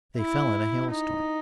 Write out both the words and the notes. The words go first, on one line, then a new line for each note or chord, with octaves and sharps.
They fell in a hailstorm.
E4
D#4